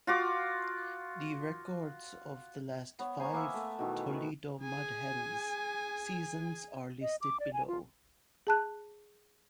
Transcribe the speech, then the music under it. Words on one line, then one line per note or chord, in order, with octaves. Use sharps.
The records of the last five Toledo Mud Hens seasons are listed below.
F4 F#4 D6
B3 C#5
C5 G#5 A#5 C#6
A#3 B3 E5
A3
B2 D#3 E3
C#6
G#4 G#5
D#5
D6
D5
G#5
F4
G#4 A5 F#6